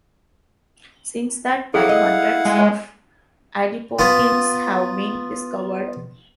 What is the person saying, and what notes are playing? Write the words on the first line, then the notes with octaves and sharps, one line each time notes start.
Since that time, hundreds of adipokines have been discovered.
E4 G#4 A4 F5 F#5
D#5
G#3
B3 F4